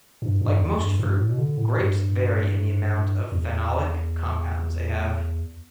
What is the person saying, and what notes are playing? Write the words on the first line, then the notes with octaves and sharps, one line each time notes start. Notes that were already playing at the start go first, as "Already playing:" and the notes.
Like most fruit, grapes vary in the amount of phenolic compounds they have.
G2
G2
E2
G2
G2
A2
B2
D3
A2
G2
E2